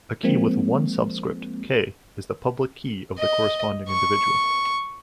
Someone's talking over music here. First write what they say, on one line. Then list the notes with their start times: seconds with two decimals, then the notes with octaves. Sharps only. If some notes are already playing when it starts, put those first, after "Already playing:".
A key with one subscript, K, is the public key of the corresponding individual.
0.23 F3 G#3 A#3 C4
3.18 D#5
3.89 C#6